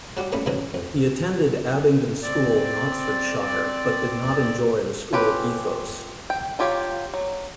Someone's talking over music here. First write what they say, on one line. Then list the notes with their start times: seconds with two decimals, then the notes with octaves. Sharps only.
He attended Abingdon School in Oxfordshire, but did not enjoy the school ethos.
0.17 F#3 G3 F#4 G4
0.32 G3 A3 A#3 C#4 E4
0.46 G#2 C#3 E3 F#3 G#3
0.74 F2
2.23 C4 D5
5.13 C#4 F4 G4 A4 B4
6.30 G5
6.59 F#3 F4 G4 C#5 F5
7.14 F#3